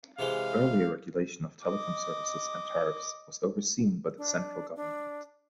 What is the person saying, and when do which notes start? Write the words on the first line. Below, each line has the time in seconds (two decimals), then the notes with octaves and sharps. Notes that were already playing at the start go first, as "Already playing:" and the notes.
Earlier regulation of telecom services and tariffs was overseen by the Central Government.
0.19 C3 E3 G#3 F5
1.64 D#5 D6
4.18 D4
4.76 D4